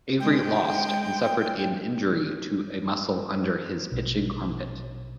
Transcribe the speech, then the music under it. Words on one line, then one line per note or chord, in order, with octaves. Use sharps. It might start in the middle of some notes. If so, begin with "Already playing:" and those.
Avery lost and suffered an injury to a muscle under his pitching armpit.
G#3 G5
A#1 B2